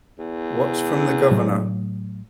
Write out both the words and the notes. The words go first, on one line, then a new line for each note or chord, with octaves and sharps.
What's from the Governor?
E2
A2 F#3